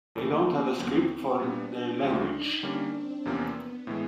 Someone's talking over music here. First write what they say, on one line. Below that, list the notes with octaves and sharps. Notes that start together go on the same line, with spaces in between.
They don't have a script for their language.
F2 C#3 E3 A3 A#3
B3
D#2 D3 F#3 C4
A#2 G3 B3 D4
D2 C#3 F3 G#3 C4
D#4
D3 G3 A#3 C#4 D4
C4
E2 C3 F3 A#3 B3 C#4
A2 E3 G#3